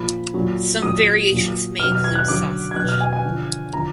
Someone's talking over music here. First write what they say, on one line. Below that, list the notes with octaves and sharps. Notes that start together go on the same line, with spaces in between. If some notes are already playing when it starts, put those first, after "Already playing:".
Some variations may include sausage.
Already playing: A#2 F3 B5
A#2 F#3
A#2 F#3 D#6
A#2 F#3
B2 F#3 F6
F6
G#6
F#6
D3 F#3 D6
G#6
B2 F#3 F#6
F6
G#5
G#5
D3 F3
D3 F3 A#5